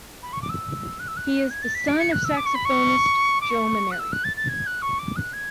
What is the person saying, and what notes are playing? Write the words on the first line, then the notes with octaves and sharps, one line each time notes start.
He is the son of the saxophonist Joe Maneri.
B5
C#6
D6
E6
F#6
E6
F#6
G#6
A6
B6
D7
C#7
F#6
E6
D6
C#6
B5
C#6
D6
C#6
F#6
E6
F#6
A6
A6
G#6
F#6
C#6
D6
F#6
G#6